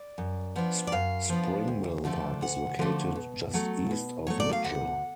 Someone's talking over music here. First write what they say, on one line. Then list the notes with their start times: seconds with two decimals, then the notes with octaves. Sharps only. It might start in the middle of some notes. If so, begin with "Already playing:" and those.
Spring Mill State Park is located just east of Mitchell.
Already playing: D5
0.18 F#2
0.56 F3 B3 D4
0.87 D5
0.92 F#2 F5
1.29 F3 B3 D4
1.68 D2
2.05 D3 F3 A3 D4
2.41 D2 F#5
2.79 D3 F3 A3 D4
3.15 B2
3.54 F#3 A3
3.91 B2
4.27 F#3 A3 C#5
4.40 D5
4.53 F5
4.64 D2 F#5